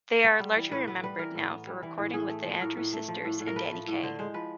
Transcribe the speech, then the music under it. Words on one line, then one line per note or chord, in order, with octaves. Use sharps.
They are largely remembered now for recording with The Andrews Sisters and Danny Kaye.
B3 B4
G3
E3
A2 B4
B3 B4
G3 B4
E3 A#4
A2
B3
G3
E3
A2
A2 G#4
A3
F3
A2 A#4
A2
A3
F3
A2
A2
A#4
A3 B4
F3
A2
D3 C5
G#3 C5
F3 B4